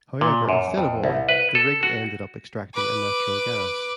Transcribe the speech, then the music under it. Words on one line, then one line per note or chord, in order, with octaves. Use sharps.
However instead of oil, the rig ended up extracting a natural gas.
A#2
F#2
F2
C2
B4
A4
F#4
B4 D6